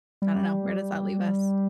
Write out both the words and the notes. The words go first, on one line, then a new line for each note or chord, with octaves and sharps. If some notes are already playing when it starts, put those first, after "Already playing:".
I don't know, where does that leave us?
G3